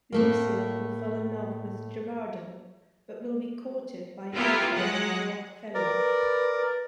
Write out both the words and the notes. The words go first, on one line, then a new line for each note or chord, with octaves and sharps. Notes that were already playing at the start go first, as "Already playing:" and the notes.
Lucia will fall in love with Gerardo but will be courted by Beto "Roque-feller".
A2 A3 A#3
B3 E4 F4 G4 A#4
F#3 G#3 F#5
A#4 B4 D5